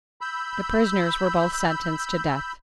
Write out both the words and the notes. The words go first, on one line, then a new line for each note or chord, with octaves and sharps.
The prisoners were both sentenced to death.
B5 E6 G6